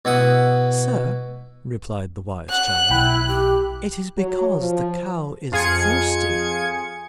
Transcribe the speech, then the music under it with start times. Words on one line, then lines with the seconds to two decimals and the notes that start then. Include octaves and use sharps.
"Sir," replied the wise child, "it is because the cow is thirsty."
0.05 B2 E4 F#5 D#6
2.50 F#5 F#6
2.90 B1 E4 G5 B5
3.27 G4
4.18 F#3
4.58 F3
5.52 F2 F4 G#4 G#5 G#6 C#7